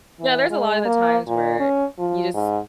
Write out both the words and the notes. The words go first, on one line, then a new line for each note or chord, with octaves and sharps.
Yeah, there's a lotta of the times where you just
E3
G#3
A#3
A#2
C#4
F3
G#2